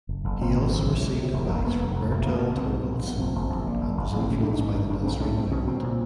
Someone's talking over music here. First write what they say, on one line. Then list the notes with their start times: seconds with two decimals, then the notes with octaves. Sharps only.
He also received advice from Bertel Thorvaldsen and was influenced by the Nazarene movement.
0.09 F#1
0.24 F#1
0.41 G#1 C4
0.56 G#1
0.72 B1
0.87 A2
1.02 C#2
1.18 C3
1.33 E1
1.49 E1
1.56 A#3
1.64 F1 B3
1.80 F1
1.96 F1
2.10 F1
2.26 C#2 A#3
2.42 B2 B3
2.57 B1 C4
2.72 B2
2.88 A#1
3.03 A#2 B3
3.19 F#1 C4
3.35 F#1
3.50 A#1
3.66 A#2
3.81 F#1
3.97 F#1
4.12 A1
4.19 C4
4.28 A2 C#4
4.43 A#1 D4
4.54 D4
4.59 G#2 C#4
4.74 G1 D4
4.90 G1 D4
5.05 B1 C4
5.20 A2 C#4
5.37 B1 C4
5.51 B2 C#4
5.67 C2 C4
5.83 A#2